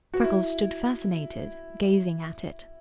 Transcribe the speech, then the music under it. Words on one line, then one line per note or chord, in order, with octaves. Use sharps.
Freckles stood fascinated, gazing at it.
F#4
E4